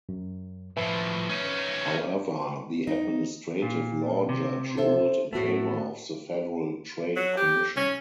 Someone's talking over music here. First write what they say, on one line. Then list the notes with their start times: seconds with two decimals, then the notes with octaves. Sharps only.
However, the Administrative Law Judge ruled in favor of the Federal Trade Commission.
0.09 F#2
0.77 A2 F3 B4 E5 G#5
1.29 C#4 D#4
2.87 D#4
3.62 A#2
4.29 C3
4.77 A4 C5 E5
5.33 A2 A3 B3 F#4
7.16 F#3
7.37 G4
7.77 C#4